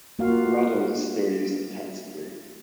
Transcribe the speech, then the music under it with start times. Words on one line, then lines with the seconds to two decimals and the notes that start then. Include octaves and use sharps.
The radomes are still used intensively.
0.19 A#3 F4 F#4 F5